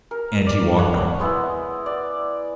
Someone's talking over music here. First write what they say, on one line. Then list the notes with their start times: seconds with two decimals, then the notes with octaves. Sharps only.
And he walked on.
0.11 A#4
0.47 D5
0.78 C#5 F#5
1.20 G#3 B3 E4 D#5
1.86 D5